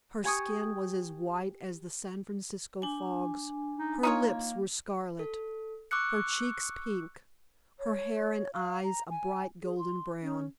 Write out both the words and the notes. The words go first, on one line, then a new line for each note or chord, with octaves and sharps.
Her skin was as white as the San Francisco fogs, her lips were scarlet, her cheeks pink, her hair and eyes a bright golden brown.
G4 G#5 C#6 D#6
D4 G#5
D#4
A#3 D#4 F4 C#5
A4
C#6 D6 E6 F#6 C#7
C#5
F5
A#5
G#5
G#4
C6
C#4